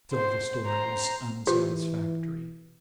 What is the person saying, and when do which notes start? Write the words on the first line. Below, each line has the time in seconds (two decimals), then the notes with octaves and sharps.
Still the story was unsatisfactory.
0.13 C5
0.66 C5 A#5
1.47 E3 F4 G4 B4 C5